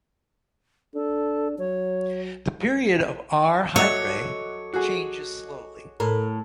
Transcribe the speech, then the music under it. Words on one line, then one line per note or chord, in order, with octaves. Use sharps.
The period of R Hydrae changes slowly.
D4 A4
F#3 C#5
F#3 A4 C#5 D#5 E5 F#5 D6
F#4 G#4
A2 A4 A#4